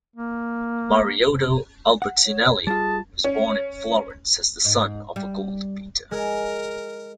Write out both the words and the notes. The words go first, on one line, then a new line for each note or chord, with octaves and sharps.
Mariotto Albertinelli was born in Florence as the son of a gold beater.
A#3
F#5
C#5
G3 F4 G#4 A5
C#4
G#2
G3
G#3 A#4